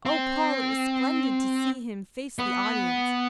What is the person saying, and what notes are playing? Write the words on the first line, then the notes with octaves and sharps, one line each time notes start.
Oh, Paul, it was splendid to see him face the audience.
C4
B3